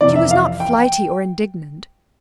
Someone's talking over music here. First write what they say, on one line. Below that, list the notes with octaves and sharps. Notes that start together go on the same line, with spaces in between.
She was not flighty or indignant.
F2 C3 E3 D5
E5
F5
G5